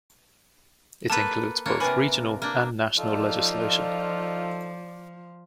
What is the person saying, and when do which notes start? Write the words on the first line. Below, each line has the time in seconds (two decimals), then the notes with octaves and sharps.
It includes both regional and national legislation.
1.10 A#3 A4 B4 A5
1.66 A#3 D4 C#5
1.80 C3 F4 A#4 B4 G#5 B5
2.42 A#3 D4
2.98 F3 D#4 F4 A4 D5